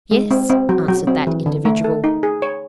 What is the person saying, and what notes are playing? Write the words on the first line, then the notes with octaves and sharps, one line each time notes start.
"Yes," answered that individual.
G#3
C4
C4
F#3
F#3
C4
E3
D3
A3
A4
D#4
G#4
C#5